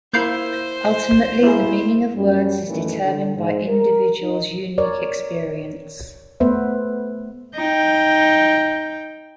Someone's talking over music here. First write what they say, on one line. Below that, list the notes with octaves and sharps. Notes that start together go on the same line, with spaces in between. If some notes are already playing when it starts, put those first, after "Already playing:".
Ultimately, the meaning of the words is determined by an individuals unqiue expierence.
A#3 E4 C5 F5 G6
A#3 E4 G#4
F#2 G3 C#4
F#2 D#3 E3 A3
D3
G#2
A#4
D#4
A#4 C#5 D5
A3 B3 B4 C5 E5
D#4 G5